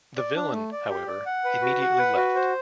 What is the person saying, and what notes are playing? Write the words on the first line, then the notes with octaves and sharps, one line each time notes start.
The villain, however, immediately left.
D5
D4
A3
D5
G4
D5
F#5
B4
F#4
F#5
B4
F#4
C5